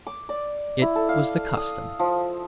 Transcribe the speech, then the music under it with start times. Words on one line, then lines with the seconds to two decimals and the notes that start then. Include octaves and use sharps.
It was the custom.
0.07 D6
0.29 D5
0.82 E4
0.96 A4
1.09 F5
1.57 D#6
1.99 F3